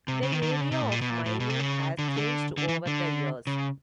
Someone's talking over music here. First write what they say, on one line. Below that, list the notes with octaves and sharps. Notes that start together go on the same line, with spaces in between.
The area of mining has changed over the years.
C3
C#3
D#3
D#3
D3
C#3
C3
A2
A#2
B2
A#2
A2
B2
C3
C#3
D3
C#3
D3
D3
E3
D3
C#3